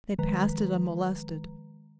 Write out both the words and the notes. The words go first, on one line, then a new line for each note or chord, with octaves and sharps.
They passed it unmolested.
D#3 F3 G#3 B4 A#5